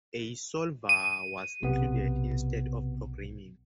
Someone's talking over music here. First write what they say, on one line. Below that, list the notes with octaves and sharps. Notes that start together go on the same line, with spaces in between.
A solver was included instead of programming.
D#7
B1 C3 B3